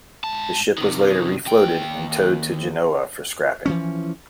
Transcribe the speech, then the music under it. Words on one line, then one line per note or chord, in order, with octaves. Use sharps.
The ship was later refloated and towed to Genoa for scrapping.
G#2 A5
C3 D#3
D#2 G5
E3 F3 C#4